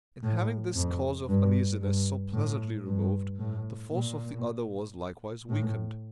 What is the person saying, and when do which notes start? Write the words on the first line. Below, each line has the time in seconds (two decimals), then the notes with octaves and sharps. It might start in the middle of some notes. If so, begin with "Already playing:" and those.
In having this cause of uneasiness so pleasantly removed, the force of the other was likewise weakened.
0.23 A2
0.75 F2
1.28 G2
1.81 G2
2.33 A2
2.86 G2
3.39 A2
3.92 A#2
5.49 A2